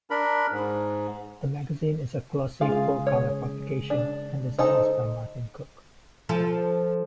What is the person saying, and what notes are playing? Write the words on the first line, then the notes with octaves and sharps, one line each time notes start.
The magazine is a glossy full colour publication, and design is by Martin Cook.
D4 A#4 B5
G#2
C#3 G#3 F4 G#4 F5
C#5
D4
D#4 A4 C5 D#5 A5
F3 A4